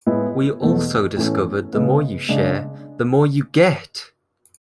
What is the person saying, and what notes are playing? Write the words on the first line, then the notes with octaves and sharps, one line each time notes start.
We also discovered the more you share, the more you get!
A2 G#3 B3 E4
E2 B2 A3
A2 E3 A3 C#4
C#3 G#3 B3
C#3 G#3 D4